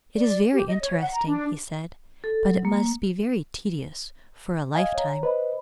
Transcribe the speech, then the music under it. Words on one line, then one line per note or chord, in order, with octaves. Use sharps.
"It is very interesting," he said, "but it must be very tedious for a lifetime."
D5
G4
D#5
C#5
F#5
A#5
D4
A4
F#3
A#3
D#5 F5 G#5
C#5 A#5
B4 C5 D#5 B5